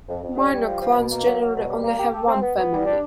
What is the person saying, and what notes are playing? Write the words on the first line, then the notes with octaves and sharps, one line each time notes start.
Minor clans generally only have one family.
F2
F2
G3
G3
F3
F3
B2
A#3
F#3
F#3
B2
G3
A#3
G4
A4
C4
B3
B3
G3
D4